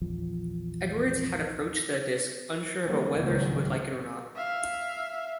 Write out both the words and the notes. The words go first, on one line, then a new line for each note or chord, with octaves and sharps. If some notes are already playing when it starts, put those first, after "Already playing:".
Edwards had approached the disc unsure about whether he would like it or not.
A#1 E2 F3
D#3 E3 F#3 G3 A3 A#3
C#2 G#2 D#3 F#3 G#3
E5 F5